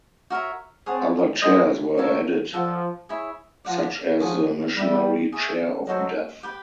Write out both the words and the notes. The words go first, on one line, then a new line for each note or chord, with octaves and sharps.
Other chairs were added such as the Missionary Chair of Duff.
F#4 A#4 C#5 E5
C4 G#4 C#5 F#5 A5
B3 G#4 C5 D#5
A#3 F#4 A4 C#5
F3 A4 D5 F#5
E4 G#4 C#5 E5
F3 D5 F#5 A#5
F3 G#4 C#5 F#5
G3 E4 G4 B4
G#4 C#5 E5
F#3 D#4 F#4 A4 C5
G4 B4 D5 G5